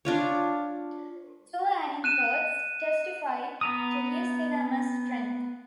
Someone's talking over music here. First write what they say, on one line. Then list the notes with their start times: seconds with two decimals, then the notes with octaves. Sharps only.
Two anecdotes testify to his enormous strength.
0.05 D4 F4 C#5
2.04 F#6 D#7 E7
3.61 B3 A#5 D#6